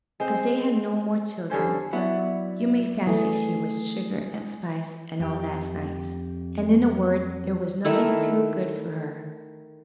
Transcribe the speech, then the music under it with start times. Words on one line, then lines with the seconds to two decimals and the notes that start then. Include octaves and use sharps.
As they had no more children, you may fancy she was sugar and spice and all that's nice, and in a word there was nothing too good for her.
0.20 G#3 C4 C5
1.50 G2 D3 C#4 C5
1.93 F#3 B3 E4 D5
3.07 E3 A3 G#4
5.20 F2 G4
7.85 D#3 A3 E4